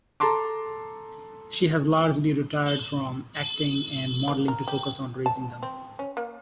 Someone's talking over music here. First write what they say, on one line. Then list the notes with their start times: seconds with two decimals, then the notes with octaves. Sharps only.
She has largely retired from acting and modelling to focus on raising them.
0.20 A4 A5 A#5 C6 D6
4.28 A#3
4.48 A#4
4.68 G4
5.26 A5
5.63 C4
5.99 C#4
6.17 A#3